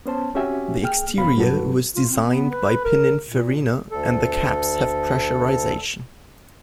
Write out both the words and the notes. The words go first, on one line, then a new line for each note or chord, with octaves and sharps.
The exterior was designed by Pininfarina and the cabs have pressurization.
B3 C#4 C5 A5
C4 C#4 F#4 G4 E5 G#5
A#3 G#4 G5 F6
F#2 C#3 B3 F5 B5
G2 F#3 F#4 A4 B4
F4
C4
B3
B4
A#4
A#2
D2 A4